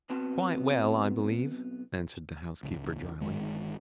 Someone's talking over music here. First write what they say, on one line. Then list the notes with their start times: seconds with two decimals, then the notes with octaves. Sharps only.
'Quite well, I believe,' answered the housekeeper, drily.
0.09 B1 B3 C4 F#4 A5
2.63 D1 C#2
3.21 G1 D#3 G#3